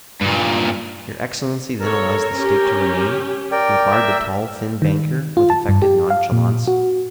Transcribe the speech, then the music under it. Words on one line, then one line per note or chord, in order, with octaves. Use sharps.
"Your excellency then allows the stake to remain?" inquired the tall, thin banker, with affected nonchalance.
G2 A#2
A4 A#4 C#5
C#4 G4
A#4 D5 G5
E5
D#3
F4
A5
G2
G4
F5
A#2
F#4